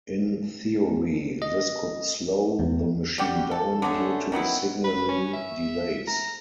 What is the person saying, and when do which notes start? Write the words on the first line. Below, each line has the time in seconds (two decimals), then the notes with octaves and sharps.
In theory, this could slow the machine down due to signalling delays.
1.42 D#5
2.59 E2
3.18 G3 F#4 G4
3.51 A4
3.82 D3 F#3 A3 G#4
4.32 D#3 F#3 B3 E4
4.84 B4
5.08 C#4
5.33 E5
6.07 A#5